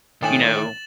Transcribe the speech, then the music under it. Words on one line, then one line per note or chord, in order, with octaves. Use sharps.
you know
A2 D#3 D4 G5 G#5 A6 E7 F#7